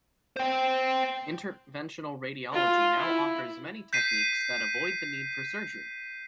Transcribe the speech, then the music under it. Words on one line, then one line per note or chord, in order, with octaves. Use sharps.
Interventional radiology now offers many techniques that avoid the need for surgery.
C5 G5
F4
E4
G6 B6 C7 D#7